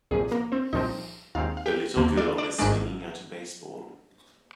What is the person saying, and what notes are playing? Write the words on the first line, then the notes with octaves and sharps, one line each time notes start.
A little girl is swinging at a baseball.
C2 A#2 F3 G#4
A#3 A#4
C4 C5
C2 A#2 F3 C4 D#4 D#5
D#2 D#3 G#3 C4 F4 F5
F5
G4 G5
D#2 D3 F3 A#3
D4 D5
D4 D5
G#1 G#2 D#3 G#3 D4 D5